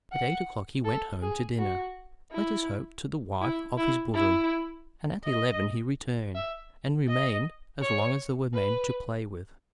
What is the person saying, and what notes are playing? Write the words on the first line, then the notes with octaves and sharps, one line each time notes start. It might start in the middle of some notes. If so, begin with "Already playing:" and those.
At eight o'clock he went home to dinner, let us hope to the wife of his bosom, and at eleven he returned, and remained as long as there were men to play with.
F#5
A4
G#4
F#4
E4
E4
E4
E4
D#5
E5
D#5
C#5
B4